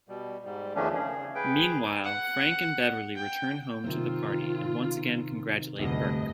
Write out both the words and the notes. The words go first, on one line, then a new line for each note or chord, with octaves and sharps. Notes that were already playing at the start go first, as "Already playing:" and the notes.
Meanwhile, Frank and Beverly return home to the party and once again congratulate Berke.
B2 G3
G#2 G3
E2 D#3 F3 A3 C#4 D4
C#3 G#4
G#4 B4 G5
F#5
G5
C3 D#3 C4 F4
F1 D2 G2 D#5